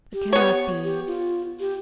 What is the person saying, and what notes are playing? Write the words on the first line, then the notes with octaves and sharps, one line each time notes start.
It cannot be.
G4
B3 C#5
G4
F4
G4